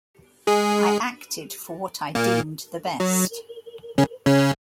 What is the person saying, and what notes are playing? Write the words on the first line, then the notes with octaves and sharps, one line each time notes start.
I acted for what I deemed the best.
G#3 G#4
A#2 A#3
F#3
C#3 C#4
C#3 C#4